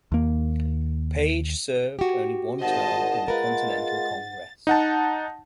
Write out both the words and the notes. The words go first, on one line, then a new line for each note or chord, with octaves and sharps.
Page served only one term in the Continental Congress.
D#2 A#3
F#4 G4
G#1 A#2 C5 D#5 F#5 A5
G#3 F4 A#4 B4 A6
D#4 F#5 A5